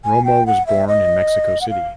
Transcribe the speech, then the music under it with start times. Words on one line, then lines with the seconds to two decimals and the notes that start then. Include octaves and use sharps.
Romo was born in Mexico City.
0.05 G#5
0.25 G5
0.46 F#5
0.67 E5
0.87 D#5
1.61 F#5
1.69 F5